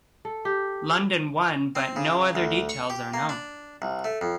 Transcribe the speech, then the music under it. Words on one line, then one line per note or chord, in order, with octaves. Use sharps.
London won but no other details are known.
A4
G4
C4
C#3
D2
C#6
G4
A#3
D4
C2
A3
F2